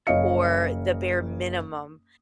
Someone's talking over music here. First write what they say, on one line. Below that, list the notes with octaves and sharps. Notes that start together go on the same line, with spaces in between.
or the bare minimum.
F#1 C#5 D#5 F5 C#7